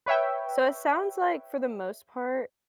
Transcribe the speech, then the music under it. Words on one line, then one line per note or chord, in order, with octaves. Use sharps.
So it sounds like, for the most part,
B4 C#5 E5 G5